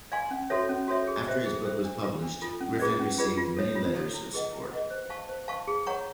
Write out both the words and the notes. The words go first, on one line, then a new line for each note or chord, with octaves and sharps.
After his book was published, Griffin received many letters of support.
D5 F5 G#5 C6
C#4
F#4 A4 C#5 E5
C#4
F#4 A4 C#5 E5
G#4
C5 E5 G5
G#4
C5 E5 G5
D4
F4 A4
D4
F4 A4
C#4
F4 G#4 B4 D5
C#4
F4 G#4 B4 D5
F4
A4 C#5
F4
A4 C#5
E4
G#4 B4 D#5 F#5
E4
G#4 B4 D#5 F#5
C5
F5 A5 C#6
C5
F5 A5 C#6
G#4
C#5 F#5 A#5 C#6